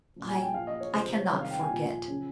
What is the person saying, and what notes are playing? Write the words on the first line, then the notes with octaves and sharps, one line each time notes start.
"I--I cannot forget."
A#2 F3
G#5
G5
A#2 F3 F5
D#5
C#5
C3 F3 C5
C5
C#5
C3 D#3 G3 C#5
F5
G5
G#5
A#2 F3
C#3 F3